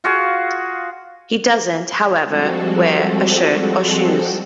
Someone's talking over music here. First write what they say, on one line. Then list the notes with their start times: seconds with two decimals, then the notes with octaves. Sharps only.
He doesn't, however, wear a shirt or shoes.
0.04 F4 F#4 G#4 F5
2.22 F3 G3 G#3 C4 F#4 A4